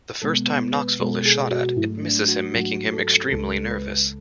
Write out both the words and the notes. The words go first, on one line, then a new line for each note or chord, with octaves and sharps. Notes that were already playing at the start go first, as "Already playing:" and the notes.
The first time Knoxville is shot at, it misses him making him extremely nervous.
B2 G#3 B3 A4
B4
B4
B2 G#3 B3 A4
G#4
F#4
G#2 F#3 A3 E4
D4
F#4
G#2 F#3 A3 F#4
A4
C#2 C#3 G#3 A4
B4